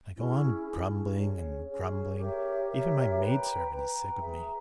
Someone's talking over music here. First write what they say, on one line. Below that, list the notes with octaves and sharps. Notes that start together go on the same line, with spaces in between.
I go on grumbling and grumbling. Even my maidservant is sick of me.
C#4 E4 G#4
C#4 E4 G#4
C#4 G#4 C#5
C#4 G#4 C#5
G4 A#4 C#5 E5
G4 A#4 C#5 E5
B4 G5 A#5
B4 G5 A#5
G#4 B4 E5 A#5